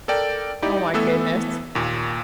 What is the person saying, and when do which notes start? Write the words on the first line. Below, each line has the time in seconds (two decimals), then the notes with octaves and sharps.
Oh, my goodness!
0.08 A4 A#4 D5 G5
0.62 D#4 E4 G4 D5
0.94 E3 A3 B3 A4 E6
1.75 D#2 A#2